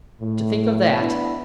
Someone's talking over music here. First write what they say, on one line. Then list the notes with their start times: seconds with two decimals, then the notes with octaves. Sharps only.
'To think of that!
0.20 A2
1.00 B3 D4 E4